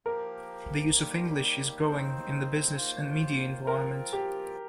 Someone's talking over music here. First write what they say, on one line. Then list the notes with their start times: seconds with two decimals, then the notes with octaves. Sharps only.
The use of English is growing in the business and media environment.
0.06 F3 A#3 G4 A#4
0.96 D#2 D#3 G3 A#3 G4
1.86 D#2 D#3 C4 D#4 C5
2.76 D#2 D#3 A#3 F4 C5
3.67 F3 C4 F4 A#4
4.13 G4